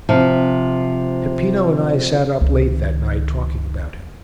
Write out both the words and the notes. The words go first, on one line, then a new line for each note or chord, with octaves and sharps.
Peppino and I sat up late that night talking about him.
C3 F3
C#2 D#3